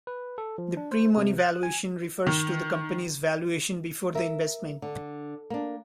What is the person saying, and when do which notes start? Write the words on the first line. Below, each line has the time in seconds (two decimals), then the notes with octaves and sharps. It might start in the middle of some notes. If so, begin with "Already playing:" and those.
The pre-money valuation refers to the company's valuation before the investment.
0.07 B4
0.38 A4
0.58 F3
0.77 D4
0.92 C5
1.17 C3
1.38 F#6
1.63 G#5
2.27 D#3
4.15 A#4 E5
4.82 D3
5.50 A#3 D4